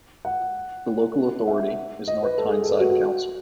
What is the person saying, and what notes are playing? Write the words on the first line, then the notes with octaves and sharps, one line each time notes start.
The local authority is North Tyneside Council.
F#5
E5
D#5
B4
A4
G#4
A4
B4
F#4
F#4